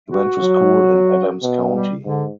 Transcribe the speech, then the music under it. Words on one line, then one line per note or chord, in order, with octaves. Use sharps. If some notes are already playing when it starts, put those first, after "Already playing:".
He went to school in Adams County.
F#4
F#3
B2
G3
G#2 D3